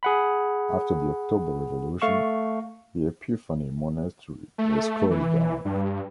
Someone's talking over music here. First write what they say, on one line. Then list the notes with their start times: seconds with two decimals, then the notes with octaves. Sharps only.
After the October Revolution, the Epiphany monastery was closed down.
0.03 G#4 F#5 B5
2.02 A3 F5 C#6
4.58 A3
5.11 E3
5.65 G2